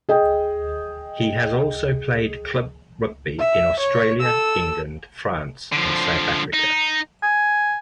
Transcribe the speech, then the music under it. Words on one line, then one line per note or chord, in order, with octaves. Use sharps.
He has also played club rugby in Australia, England, France and South Africa.
G#4 D#5 G5
E5
C#5
A4 E6
D3 F3
D#4
G#5